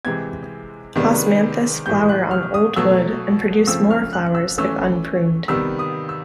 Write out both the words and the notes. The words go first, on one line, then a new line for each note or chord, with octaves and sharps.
"Osmanthus" flower on old wood and produce more flowers if unpruned.
C3 E3 G#3 C4 G#6
C3 D#3 G#3 B3 D4
A2 E3 G3 G6
F#6
F6
D#6
B2 F#3 A3 E6
C#3 F3 A3 C4 E6
F6
F#6
E6
E3 A3 C#4 E6
C3 D#3 G3 B3 E6
D#6
E6